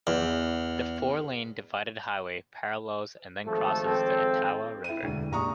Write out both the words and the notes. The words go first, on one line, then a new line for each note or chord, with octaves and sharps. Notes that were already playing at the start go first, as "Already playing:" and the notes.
The four-lane divided highway parallels and then crosses the Etowah River.
E2
G#1 F3 A3 A4
C4
E4 D#7
E1 D2
F1 A#2 A#5 C#6 D#6